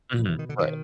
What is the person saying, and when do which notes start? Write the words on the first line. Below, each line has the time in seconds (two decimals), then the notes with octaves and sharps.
Mhm. Right.
0.18 B2 F3
0.29 E3
0.39 D#3
0.49 D3
0.59 D#3